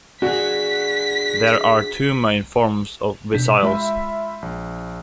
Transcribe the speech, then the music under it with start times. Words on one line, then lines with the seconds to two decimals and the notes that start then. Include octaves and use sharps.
There are two main forms of vesicles.
0.22 D4 F#4 G#4 B6
3.34 B2 D4 G6 B6
3.63 G#3 F4 E5 B5
4.42 A#1